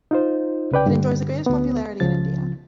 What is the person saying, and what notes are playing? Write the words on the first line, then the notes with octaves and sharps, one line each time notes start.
It enjoys the greatest popularity in India.
D#4 F4 C5
C2 C#3 B4 D5 G5
G2 D3
D2 B3
C#2 C#3 F3 A6